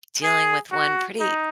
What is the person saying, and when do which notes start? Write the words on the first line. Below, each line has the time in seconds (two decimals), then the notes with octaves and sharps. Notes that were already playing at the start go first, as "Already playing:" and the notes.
dealing with one pretty
0.23 G#4
0.71 F#4
1.20 D#4